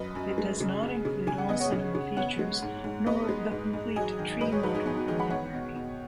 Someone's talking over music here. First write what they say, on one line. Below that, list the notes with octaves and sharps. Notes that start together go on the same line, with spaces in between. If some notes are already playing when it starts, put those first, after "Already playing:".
It does not include all Cinema features, nor the complete Tree Model Library.
Already playing: F#2 F#3 B4 D#5
F#2
G#3
C#3
B3
C#3
C#3 G#5
F#5
B3 D#5
C#5 F#5
C#3
C#3
B3 C#5 F#5
G#3
G#2
G#2
B3 B4 D#5
G#3
G#2
G#2
F#3 D#5 G#5
D#3
G#2 B4 D#5
G#4 C#5
G#2 F#4 B4
D#4 G#4
B3 D#4 G#4
F#4
D#3 D#4 G#4
F#5 B5
B3 C#5 F#5
B2
B2